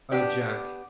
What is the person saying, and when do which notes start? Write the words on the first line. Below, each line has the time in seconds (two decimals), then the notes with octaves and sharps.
"Oh, Jack!"
0.11 B3 D4 G4 D5